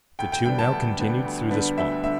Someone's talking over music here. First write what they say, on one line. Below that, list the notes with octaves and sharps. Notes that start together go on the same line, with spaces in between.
The two now continued through the swamp.
D2 G5
G5
D3 G3 B3 D4 G5
A5
D2
D3 G3 B3 D4
D2
D3 G3 B3 D4
D2 E5
D3 G3 E5